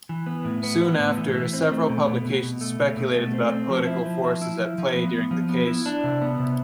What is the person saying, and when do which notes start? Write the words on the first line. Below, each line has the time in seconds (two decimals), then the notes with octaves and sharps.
Soon after, several publications speculated about political forces at play during the case.
0.09 E3
0.26 B3
0.45 A2
0.63 B3
0.82 B3
0.99 A2
1.18 E3
1.35 E3
1.53 C4
1.71 A3
1.89 B2
2.08 B2
2.25 B2
2.43 B2
2.61 A3
2.80 B2
2.97 B2
3.16 A3
3.34 C4
3.51 C4
3.69 F3
3.87 E4
4.06 F3
4.24 F3
4.42 E4
4.59 F3
4.78 F3
4.95 B3
5.13 B3
5.31 F3
5.49 B3
5.67 E4
5.86 D4
6.04 C3
6.22 B3
6.39 C3